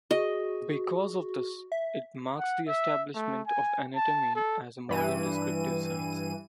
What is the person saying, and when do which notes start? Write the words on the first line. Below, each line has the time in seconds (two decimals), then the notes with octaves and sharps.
Because of this, it marks the establishment of anatomy as a modern descriptive science.
0.11 F#4 G#4 D#5
1.72 E5
2.38 F#5
2.68 E5
3.15 A3
3.47 G#5
3.95 A5
4.36 A4
4.89 G2 E3 D#7